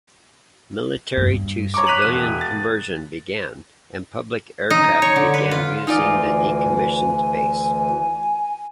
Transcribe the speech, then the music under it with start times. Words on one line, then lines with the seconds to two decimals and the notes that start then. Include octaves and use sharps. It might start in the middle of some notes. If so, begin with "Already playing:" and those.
Military to civilian conversion began, and public aircraft began using the decommissioned base.
1.17 G2
1.74 C#5 A#5 C#6 D6
1.87 F#6 B6 D#7 F7 F#7
2.02 E1 D#7
2.16 E1
2.41 A6
4.70 D#4
5.02 C#5
5.16 D3
5.34 B4
5.51 F4
5.87 D2 E3 D#4 F4 D5 G#5